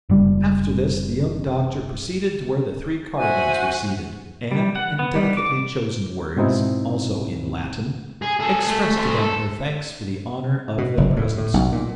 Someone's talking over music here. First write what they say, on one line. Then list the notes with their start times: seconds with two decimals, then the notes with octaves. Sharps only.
After this the young doctor proceeded to where the three cardinals were seated, and in delicately chosen words, also in Latin, expressed to them her thanks for the honor of their presence.
0.10 F#1 G3
3.17 F#4 C5 E5 G#5
4.51 G3
4.76 F#5
4.99 B3
5.15 G3
5.37 D6
6.36 G#2 B2 C4 D#4 E4
8.22 G#4
8.40 G#4 A4
8.67 A3
8.96 A3 C5
9.20 A4
10.78 B2
10.97 F#1
11.16 A2
11.38 A2
11.54 B1
11.72 A#2